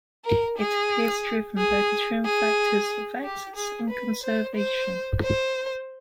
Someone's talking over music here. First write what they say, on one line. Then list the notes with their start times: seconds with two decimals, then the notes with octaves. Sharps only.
It appears driven by the twin factors of access and conservation.
0.25 A#4
0.58 G#4
1.57 G#4
2.25 G#4
3.24 G4
3.56 G#4
3.90 B4
4.23 C5
4.55 C5
5.22 C5